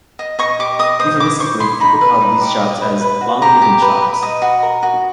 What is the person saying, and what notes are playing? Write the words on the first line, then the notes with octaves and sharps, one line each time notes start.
Euphemistically, people call these shops as "long-living shops".
D#5
D#5 C#6
G4 D6
D#5 D#6
C5 D#6
E4 D6
C5 C#6
E4 C6
D#4 B5
B4
D#4
G4
D#5
B4
B4
F#4
G4 A#5
G4
B4
B4
D#5
F#4
A#4
F#4